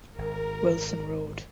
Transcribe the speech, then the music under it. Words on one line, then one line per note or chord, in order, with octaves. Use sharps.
Wilson Road.
G#1 A#4